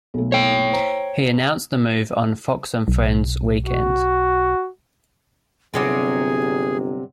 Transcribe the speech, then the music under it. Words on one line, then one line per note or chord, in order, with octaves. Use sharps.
He announced the move on "Fox and Friends Weekend".
B1 A3
C#5 G5
C5 A#5
B1
F#4
G1 C3 F#3 G3 G#4